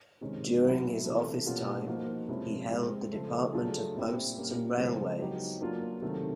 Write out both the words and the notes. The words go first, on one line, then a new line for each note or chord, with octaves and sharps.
During his office time he held the Department of Posts and Railways.
C3 D#3 G#3 C#4
B2 F#3 B3 E4
C3 E3 A3
B2 G3 A#3 C#4 F4
F3 A#3 D#4 F#4
C3 F3 G#3 C#4 E4
G#3 C4 E4 G4
C#3 F3 A3
F#3 A3 D4 F4 G#4
A#2 G3 C4 E4 G4
G3 A#3 C#4
C#3 F3 G#3 C4 E4
F#3 B3 D#4 G4
F#3 A#3 D4 F4
C3 D#3 F#3 A3